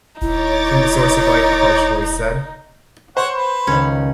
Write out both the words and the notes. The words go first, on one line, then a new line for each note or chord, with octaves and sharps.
From the source of light a harsh voice said.
D#1 D#4 E4 C#5 D6 A6
C5 C#5 F#5
B4
C#2 D#3 C#4